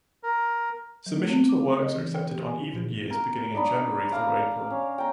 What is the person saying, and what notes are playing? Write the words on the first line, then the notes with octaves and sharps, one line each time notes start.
Submissions for works are accepted on even years beginning in January through April.
A#4
F#3
A3
C4
D6
C#3
D#5
E3
G5
G4
G#5
D#4
A#2
A#4
D4 D#4 B5
D5 F5 A#5
C#4
G5 A#5